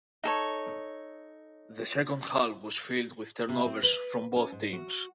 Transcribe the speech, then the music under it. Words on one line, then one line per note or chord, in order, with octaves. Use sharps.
The second half was filled with turnovers from both teams.
D#4 A4 C#5
C3
C4
B4
C#4
G#2
F#4